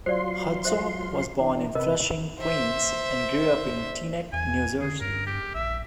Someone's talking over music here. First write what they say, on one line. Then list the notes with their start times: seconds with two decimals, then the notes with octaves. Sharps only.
Hertzog was born in Flushing, Queens and grew up in Teaneck, New Jersey.
0.06 F#3 F4 C5 D5 C6
0.65 C5 E5
1.40 E3 D4
1.75 C3 A#4 B4 D#5
2.40 C5 E5
4.33 E2 G#5
4.81 D3 G#4
5.01 G2 A#4
5.26 G4
5.55 A#1 E5